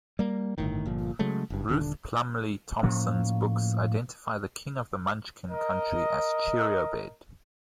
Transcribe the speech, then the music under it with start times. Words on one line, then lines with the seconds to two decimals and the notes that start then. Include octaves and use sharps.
Ruth Plumly Thompson's books identify the king of the Munchkin Country as Cheeriobed.
0.19 G3 A#3
0.58 G1 A2 D#3
0.86 G1 A#2 F3
1.19 C#3 F#3 G#3 A3
1.50 F#1 G2
1.69 D#1 D3 D4
2.83 A2 F3 A#3 C#4
5.50 A#4 D#5